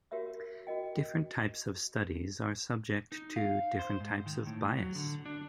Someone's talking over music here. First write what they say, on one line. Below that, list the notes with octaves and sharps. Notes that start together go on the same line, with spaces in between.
Different types of studies are subject to different types of bias.
F#4 G4 A#4 C#5 E5 D#6
F#4 A#4 D#5 G5
D#4
F5
C5
G#2
D#3
A2
F#3
D3
D4